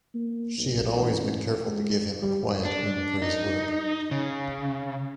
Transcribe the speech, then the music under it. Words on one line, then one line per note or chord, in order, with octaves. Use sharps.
She had always been careful to give him a quiet room for his work.
A#3
B1
A1
G#3
G3
D4
D#4
C#3